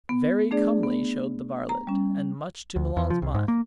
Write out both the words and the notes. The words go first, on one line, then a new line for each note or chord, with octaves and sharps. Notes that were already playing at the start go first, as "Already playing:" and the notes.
Very comely showed the varlet, and much to Milon's mind.
B3
A3 D4 G#4 D5
B3
A#5
G3 C#4
D2
E2
F3
C2
G#2
A#3